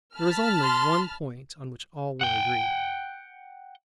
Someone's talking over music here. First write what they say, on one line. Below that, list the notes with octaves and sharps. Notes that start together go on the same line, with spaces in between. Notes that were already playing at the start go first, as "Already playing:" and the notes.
There was only one point on which all were agreed.
A5 B5 F6
C6
F#5 G5